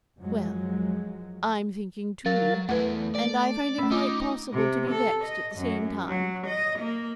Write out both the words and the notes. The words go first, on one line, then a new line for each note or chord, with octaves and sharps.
'Well, I'm thinking too, and I find it quite possible to be vexed at the same time.
F#2 F3 F#3 G#3
F#3 A#4 F5 A6
E2 E3 A3 B4 F#5
D5
A3 C#4 B5 E6
D#4 F4 D6
C3
A4
D#5
F#2
F#3
D#5
A#3